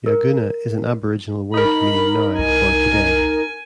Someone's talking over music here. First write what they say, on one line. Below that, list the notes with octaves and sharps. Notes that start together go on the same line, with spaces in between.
Yagoona is an Aboriginal word meaning 'now' or 'today'.
A#4
D#4 A#4 B5
C2 G#5